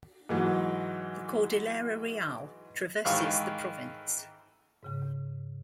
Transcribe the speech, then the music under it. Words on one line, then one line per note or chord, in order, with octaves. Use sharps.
The Cordillera Real traverses the province.
G#2 E3 F#3
G#2 D#3 E3 F5 C#6 F6
G#2 C#3